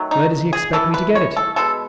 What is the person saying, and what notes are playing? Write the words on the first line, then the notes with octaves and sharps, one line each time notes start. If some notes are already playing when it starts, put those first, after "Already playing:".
Where does he expect me to get it?
Already playing: D#3 F#3 A3
D#4
G#4
E3 A3 A4
B4
C#5
A4
B2 G#3 B3 A4